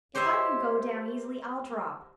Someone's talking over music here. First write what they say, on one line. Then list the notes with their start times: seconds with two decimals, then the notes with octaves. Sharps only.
If I can go down easily, I'll drop.
0.15 G4 C5 C#5 D#5 E5